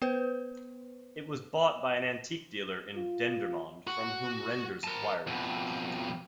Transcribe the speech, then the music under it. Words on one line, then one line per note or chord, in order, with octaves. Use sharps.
It was bought by an antique dealer in Dendermonde from whom Renders acquired it.
B3 B4 C5
F4
F#4
A#4 A5
F2 B2